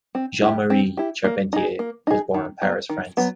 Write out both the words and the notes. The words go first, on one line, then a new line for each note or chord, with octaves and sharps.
Jean-Marie Charpentier was born in Paris, France.
C4
E4 G4
C4
E4 G4
A#3
D#4 G#4
A#3
D#4 G#4
D#3
F#3 B3
D#3
F#3 B3